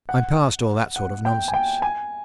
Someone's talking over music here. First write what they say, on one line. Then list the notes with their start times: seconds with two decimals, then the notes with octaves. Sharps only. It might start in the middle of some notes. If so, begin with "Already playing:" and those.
I'm past all that sort of nonsense.
0.09 F#5
0.96 F#5
1.25 G5
1.48 G#5
1.54 G5
1.82 G#5